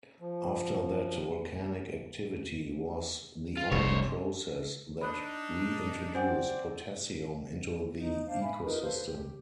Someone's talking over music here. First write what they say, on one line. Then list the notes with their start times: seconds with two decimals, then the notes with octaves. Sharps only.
After that, volcanic activity was the only process that reintroduced potassium into the ecosystem.
0.20 F3
3.57 F4
3.71 F1 C2 G2 C5 C#5
5.01 D4 D#4 B5 D#6 F#6
6.15 C4 C5 D5 F#5 G#5
7.94 D#4
8.26 D4 C5 F5
8.42 E5 F5 G#5 B5
8.63 D#4 F4 A#4 B4
8.82 A4 B4 C5 F5
9.02 G4